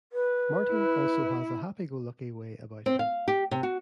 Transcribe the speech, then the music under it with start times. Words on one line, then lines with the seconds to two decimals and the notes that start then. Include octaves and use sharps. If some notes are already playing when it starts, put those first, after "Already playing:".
Martin also has a happy-go-lucky way about him.
0.12 B4
0.72 E4
2.86 C4
2.99 F5
3.28 G4
3.51 C3
3.63 F#4